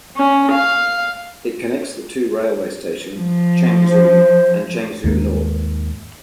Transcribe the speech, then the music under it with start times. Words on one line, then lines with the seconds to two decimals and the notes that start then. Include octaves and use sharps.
It connects the two railway stations Changzhou and Changzhou North.
0.17 C#4
0.52 F5
3.15 F3
3.88 C5
5.04 D#2 G#2 A#3